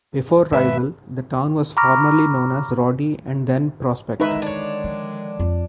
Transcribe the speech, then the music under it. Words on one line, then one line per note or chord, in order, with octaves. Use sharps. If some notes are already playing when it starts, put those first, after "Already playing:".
Before Riesel, the town was formerly known as Roddy and then Prospect.
D#2 G#2 B4 E5
A#5 B5 C#6 D6 F6 A#6
D3 D#3 G#3 D#4 A#4 B4 E5 B5
D4 C#5
F3
F2